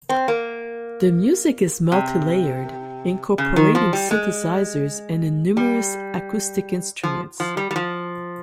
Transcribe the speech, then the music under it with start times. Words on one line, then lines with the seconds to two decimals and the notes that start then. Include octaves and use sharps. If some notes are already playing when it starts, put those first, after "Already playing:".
The music is multi-layered, incorporating synthesizers and a numerous acoustic instruments.
0.09 C4
0.28 A#3
1.92 C3
3.38 C#3
3.56 D#3
3.75 F3
3.93 G3
4.11 G#3
5.57 G3
7.03 F3
7.40 F3
7.57 G3
7.71 G3
7.76 F3